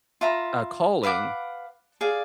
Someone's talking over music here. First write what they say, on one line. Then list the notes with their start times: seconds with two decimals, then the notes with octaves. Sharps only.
a calling
0.21 F4 E5 A#5 B5
1.03 B4 F5 F#5 D6
2.01 G#4 D5 F5